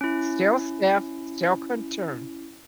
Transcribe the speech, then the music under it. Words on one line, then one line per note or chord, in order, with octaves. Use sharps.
Still stiff, still couldn't turn.
C#4 E4